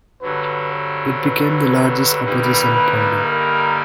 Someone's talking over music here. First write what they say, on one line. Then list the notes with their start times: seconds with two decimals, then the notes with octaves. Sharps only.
It became the largest opposition party.
0.21 G2 D3 F#3 B4
0.71 C5
1.22 B4
2.24 G2 D3 G3 A#3 D#4
2.75 B4
3.25 A#4